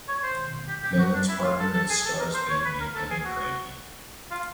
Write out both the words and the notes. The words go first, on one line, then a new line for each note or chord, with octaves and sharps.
Millan's partner is Stars bandmate Evan Cranley.
C#5
C5
G4
G4
F#4
D4
E4
F4
A4
A4
G#4
A4
A#4
C5
C#5
B4
A#4
A4
G#4
F#4
F4